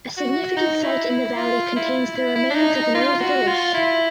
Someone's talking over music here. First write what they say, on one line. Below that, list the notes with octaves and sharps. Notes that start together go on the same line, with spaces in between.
A significant site in the valley contains the remains of an old village.
F#4
D#4
E4
E4
F4
E4
E4
E4
D4
D#4
D#4
F4
F#4
F4
E4